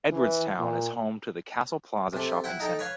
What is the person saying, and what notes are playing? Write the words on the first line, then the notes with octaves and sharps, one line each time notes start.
Edwardstown is home to the Castle Plaza Shopping Centre.
E3
A#2
C3 A3
E4 F#5 G5
D#4 A4 G5
B4 C#5 F5